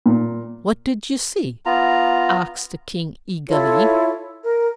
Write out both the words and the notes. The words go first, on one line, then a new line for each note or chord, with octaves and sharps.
"What did you see?" asked the King eagerly.
A#2
B3 F4 A#5
E4 F4 A4 C#5
A#4